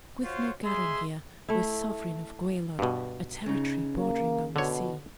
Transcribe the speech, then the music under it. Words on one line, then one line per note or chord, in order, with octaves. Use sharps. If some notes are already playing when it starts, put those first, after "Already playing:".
Gwyddno Garanhir was sovereign of Gwaelod, a territory bordering on the sea.
F4 F#4 C5 C#5
G#3 G#4 E5 C6
A3 E4
G2 B2
C#3 D#4
A#3
B2 D3 C#5